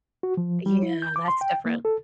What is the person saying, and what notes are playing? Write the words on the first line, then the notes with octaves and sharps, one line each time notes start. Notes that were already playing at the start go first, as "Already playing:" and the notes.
Yeah, that's different.
F#4
F3
G3
E4
G6
D6
C6
G5
A#3
A4